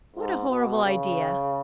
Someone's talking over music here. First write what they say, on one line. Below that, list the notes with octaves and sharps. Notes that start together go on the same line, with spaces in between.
What a horrible idea!
G#2
B2
C#3